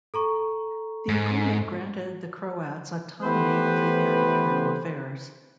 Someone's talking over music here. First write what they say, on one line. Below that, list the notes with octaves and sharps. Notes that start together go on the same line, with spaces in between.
The agreement granted the Croats autonomy over their internal affairs.
A4 A#5 C#6
G#2
E3 A3 B3 G4 B4 C5